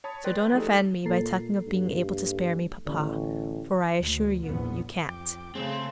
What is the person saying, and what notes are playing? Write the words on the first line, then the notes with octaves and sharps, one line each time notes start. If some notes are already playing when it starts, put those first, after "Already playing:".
So don't offend me by talking of being able to spare me, papa, for I assure you you can't.'
C#5 A5 B5 D#6 G#6
B4 D5 G5 C6 F#6 A6
F3 G3 A3 D#4 G#4 A4
A#2 A#3 A4 C7
G2
A1 D3 C#4
D2
A#1 E2 B3
F2 G5 D6
C#3 A3 C4 G#4